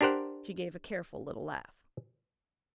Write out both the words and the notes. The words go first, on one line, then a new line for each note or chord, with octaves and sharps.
She gave a careful little laugh.
D4 G4 A#4 C5 F#5